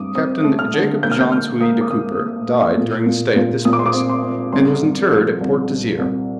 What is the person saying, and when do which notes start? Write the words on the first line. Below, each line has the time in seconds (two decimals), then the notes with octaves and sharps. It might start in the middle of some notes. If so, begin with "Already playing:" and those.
Captain Jacob Jansz Huy de Cooper, died during the stay at this place, and was interred at Port Desire.
Already playing: G2 C4 D6 D#6
0.15 C4 D#6
0.44 A3
0.59 F6
0.74 D3
1.03 A#3 G6
1.11 F6
1.21 G6
1.31 A#3 F6
1.61 A#3 D#6
1.81 D6
1.90 A#3 D#6
2.19 A#3
2.48 A#3
2.78 A#2
3.06 A#2
3.36 A#2
3.65 A#2 D#6
3.73 D6
3.79 C6
3.86 D6
3.94 C4
4.09 C6
4.23 C4
4.53 C2 C6
4.82 C2
5.11 F3
5.41 C2
5.70 C2
5.99 C2